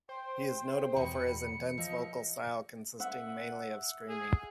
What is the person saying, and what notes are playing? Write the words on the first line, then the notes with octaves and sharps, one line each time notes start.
He is notable for his intense vocal style, consisting mainly of screaming.
C5 G5 C6
E2 B2 B5 C#7
F3 D#5 E6
E5 F#5
G#4